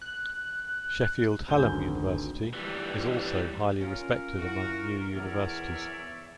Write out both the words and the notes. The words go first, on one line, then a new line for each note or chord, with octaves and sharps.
Sheffield Hallam University is also highly respected among New Universities.
F#6
G#1 D2 G#5 G6 G7
E3 G3
C#4 F4 A#4
E4 F#4
E2 C#5 D5 E5